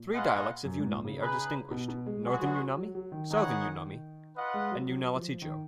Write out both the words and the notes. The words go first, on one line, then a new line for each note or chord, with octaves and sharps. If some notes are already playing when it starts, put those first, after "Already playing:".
Three dialects of Unami are distinguished: Northern Unami, Southern Unami, and Unalachtigo.
Already playing: A#2
F4 G#4 B4 D#5 F#5
F#2
G#2
A#2
C#3
D#4 G#4 B4
B2
B2
G#3
F#3 G#3 B3 F#4
F#3
F#3
F#3
F#3
D#3
D#3 B3 D#4 G#4 C#5 F#5
F4 B4 D#5 F#5
G#3
F#3
F#3
F3
D#3